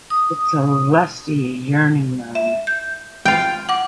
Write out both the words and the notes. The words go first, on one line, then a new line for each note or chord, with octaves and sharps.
It's a lusty, yearning moan.
D#6
E5
G6
F4 G5
F#5 D6